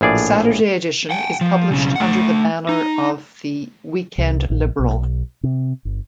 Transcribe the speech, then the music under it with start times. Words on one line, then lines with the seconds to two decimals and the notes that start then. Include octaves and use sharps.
The Saturday edition is published under the banner of the "Weekend Liberal".
0.01 A#1 A2 G#4 D5
1.11 F#5 G5
1.41 F3
1.71 B1 C#3
1.96 A3 F#5
2.69 D#4
4.18 C2
4.50 A#1
4.79 B1
5.43 C3
5.85 G1